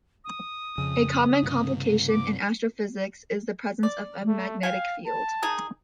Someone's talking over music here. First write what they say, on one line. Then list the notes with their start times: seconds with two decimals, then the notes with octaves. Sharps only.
A common complication in astrophysics is the presence of a magnetic field.
0.24 D#6
0.78 F2 C#3
1.43 G2 C3
2.09 D6
3.83 D5
4.28 A3
4.63 F5 G5 G#5
5.07 A5
5.42 D#3 D#4 G#4